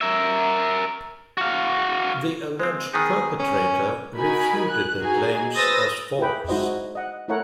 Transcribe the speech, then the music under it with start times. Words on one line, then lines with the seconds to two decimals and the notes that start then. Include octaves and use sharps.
The alleged perpetrator refuted the claims as false.
0.01 A#4 E5
1.38 F#4 F5
2.60 G#3 C4
2.93 D#3 B3 D#4 G#4
3.39 C#4
4.16 D#4 F#4 A#4 G#5 B5
4.68 F#6
5.00 D#4 F#4 G#4 G#5 A#5
5.55 B4 C5 D#6 E6 A6 A#6
6.19 E4 G4 G#4 B4 G5 B5
6.48 G#3 D#4 E4 F#4 C5 D#5
6.63 F#4
6.95 D#5 F#5
7.28 A3 E4 A4 A#4 C#5 F#5